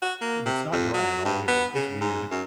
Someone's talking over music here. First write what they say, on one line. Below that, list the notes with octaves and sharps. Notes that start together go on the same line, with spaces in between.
Th it's not dry at all here, it's weird
F#4
A#3
C3
F2
F#3
G2
B3
C#3
G#2
F#2